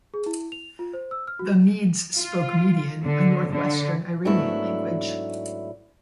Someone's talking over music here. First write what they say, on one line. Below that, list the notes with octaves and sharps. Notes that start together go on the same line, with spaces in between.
The Medes spoke Median, a north-western Iranian language.
G#4
E4
F7
F4
C5
E6
F6
F#4
F4
D3
D3
G#2 F#3 A3 B3 D4 E4